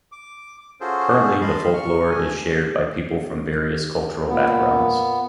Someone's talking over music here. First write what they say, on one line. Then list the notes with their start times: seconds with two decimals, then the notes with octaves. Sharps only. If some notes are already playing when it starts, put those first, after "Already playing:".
Currently the folklore is shared by people from various cultural backgrounds.
0.12 D6
0.81 C#4 F4 F#4 G#4 A4 C5
1.41 D#5 F5 A5 B5 C6
1.74 C#6 F6
2.10 A3 G#5
4.29 A#2 B3